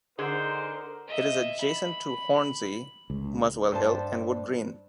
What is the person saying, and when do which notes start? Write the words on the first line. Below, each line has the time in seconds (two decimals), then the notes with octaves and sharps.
It is adjacent to Hornsey, Muswell Hill and Wood Green.
0.19 D3 D#4 G#4 A#4 C5 F#5
1.08 D#5 E5
1.60 B5
3.10 C#2
3.72 G2 C5 A5